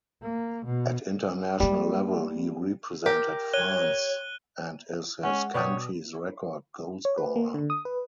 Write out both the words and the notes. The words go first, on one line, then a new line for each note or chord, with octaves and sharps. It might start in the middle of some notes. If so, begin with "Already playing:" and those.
At international level he represented France and is his country's record goalscorer.
A#3
B2
G3 G#3 A#3
G4 A#4
C#5 F#6 D#7 G7
G#3 C#4 F#5
B2 B4 C#5 D5 G5 D#6
C#5
B4
A#3
D3
D#6
B4